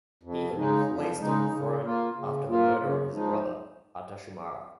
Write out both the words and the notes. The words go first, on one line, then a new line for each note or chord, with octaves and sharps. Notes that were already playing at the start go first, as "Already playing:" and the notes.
He had been placed on the throne after the murder of his brother Artashumara.
F2
C#3 G#3 D#4
F2
C#3 G#3 D#4
C#3
A#3 F4
C#3
A#3 F4
C#3
F3 G#3 D#4